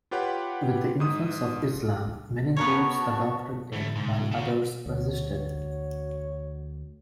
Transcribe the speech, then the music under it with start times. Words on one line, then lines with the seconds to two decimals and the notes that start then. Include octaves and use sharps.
With the influx of Islam many groups adopted it while others resisted.
0.11 F4 G4 B4 C#5 F#5 G5
1.00 G#2 D#6
2.56 B3 F#4 A#4 C#5 A5 C#6
3.72 A2 D3 E3 A3
3.96 G#2 C3
4.31 A3 F#4
4.86 D2 F#4 C#5